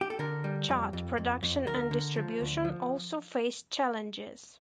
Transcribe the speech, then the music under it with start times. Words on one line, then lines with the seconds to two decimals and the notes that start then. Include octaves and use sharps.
Chart production and distribution also faced challenges.
0.01 G4
0.10 A4
0.19 D3 A#4
0.44 G3
0.69 F2
0.93 F2
1.18 F2
1.43 F2
1.67 D2 A#4
1.91 D3
2.16 F3
2.41 D2
2.65 F3